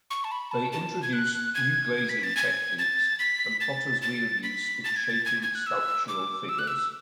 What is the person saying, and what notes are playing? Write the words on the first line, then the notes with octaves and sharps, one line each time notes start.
They introduced new glazing techniques and potter's wheel use in shaping sculptural figures.
C#6
A5
B5
A5
A5
G#6
F#6
G#6
B6
A6
G#6
A6
B6
A6
A6
B6
A6
G#6
A6
G#6
G#6
F#6
E6
D6
E6
F#6
E6